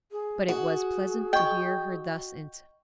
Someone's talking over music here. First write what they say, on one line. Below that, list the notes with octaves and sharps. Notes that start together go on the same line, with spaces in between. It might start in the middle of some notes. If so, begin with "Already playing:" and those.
But it was pleasant to hear her thus answer.
G#4
F#4 G#4
D#5 G5 C#6